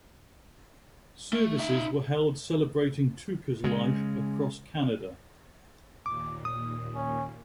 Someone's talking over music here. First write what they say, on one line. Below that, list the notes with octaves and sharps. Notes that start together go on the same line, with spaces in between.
Services were held celebrating Tooker's life across Canada.
A3
D#4 E5
C#3 G#3
D#2 A#2 D6
D#6
C#4